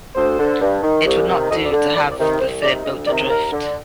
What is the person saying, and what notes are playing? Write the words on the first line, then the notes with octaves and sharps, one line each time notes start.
It would not do to have the third boat adrift.
D2 C5
D3
G2
D#3
C2
C3 D#3
D2 D#5
D5
D3
C2 D5
D5
C3 D#3
C2 C5
C3 D#3 D5
D2 D#5
C3 D#3 D5
D#2 A#4
D3